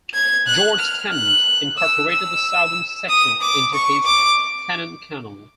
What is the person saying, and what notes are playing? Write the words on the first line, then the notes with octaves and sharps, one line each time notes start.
George Tennant incorporated the southern section into his Tennant Canal.
G#6
F#6
F6
F#6
E6
E6
D#6
D6
C#6
D6